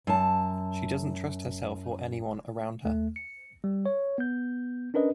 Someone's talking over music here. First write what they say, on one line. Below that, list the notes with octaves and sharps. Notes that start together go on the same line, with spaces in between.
She doesn't trust herself or anyone around her.
F#2 A5
D#2 A3
C#7
G3
C#5
B3 G6
C#4 D4 A#4 B4 D#5